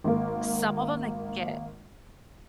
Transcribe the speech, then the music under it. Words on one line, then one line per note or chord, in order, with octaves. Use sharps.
Some of them, they can get
G#1 A#3